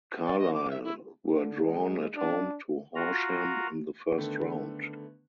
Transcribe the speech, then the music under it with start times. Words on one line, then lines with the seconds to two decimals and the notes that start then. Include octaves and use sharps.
Carlisle were drawn at home to Horsham in the first round.
0.25 D5
0.39 D#5
0.54 D6
0.70 E5
0.84 E4
1.31 D3
1.64 G#3
2.15 D4
2.95 F4 F#4 A#5
4.18 D3 D#3 A3 B3